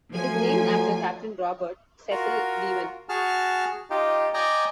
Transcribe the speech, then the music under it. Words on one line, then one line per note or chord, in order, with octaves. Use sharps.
It is named after Captain Robert Cecil Beavan.
F3 F#3 A3 G#5
F4 F#4 A#4
F#4 G#4 A5 F6
D#4 F4 G4
D5 D#5 G5 G#5 A#5